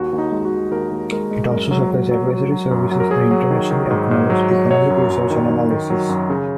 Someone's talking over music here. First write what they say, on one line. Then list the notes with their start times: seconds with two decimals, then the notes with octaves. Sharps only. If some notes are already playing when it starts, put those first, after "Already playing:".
It also supplies advisory services and internationally acknowledged economic research and analysis.
Already playing: D#2 F#4
0.13 D#2
0.18 D#4
0.32 G#3
0.45 F#4
0.52 D#2
0.71 D#2 A#4
0.91 D#2
1.12 G#3 A#4
1.31 G#3
1.51 F#2 A#4
1.71 F#3
1.91 F#3
2.11 F#3
2.31 F#3
2.52 F#3
2.71 F#2
2.91 F#3
3.00 A#4
3.10 F#3 G#4
3.31 F#3
3.51 D#3
3.70 D#3
3.91 G#2
4.11 G#2
4.30 F#3
4.50 F#3
4.70 F#3 C#5
4.90 F#2
5.10 F#2
5.30 D#3
5.50 D#3
5.70 D#3
5.90 F#3
6.09 F#2
6.30 C#3